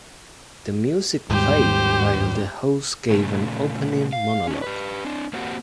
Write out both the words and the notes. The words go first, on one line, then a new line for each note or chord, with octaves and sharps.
The music played while the host gave an opening monologue.
D#2 G#2 G3 G4 C5
A#2 C#3 A3
F5
C#4 D#4
G4 B4
C4 D4
A#3 C4 F#4 G4